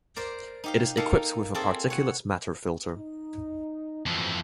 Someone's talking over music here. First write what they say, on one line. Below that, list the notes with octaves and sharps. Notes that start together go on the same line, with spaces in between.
It is equipped with a particulate matter filter.
A#4 C5 D5
D#4 G4 F5
A#3 D#4 A4 F5
C4 F4 G#4 A4 D5
C#5 F#5
D#4
F2 E3 F#3 G#3 C5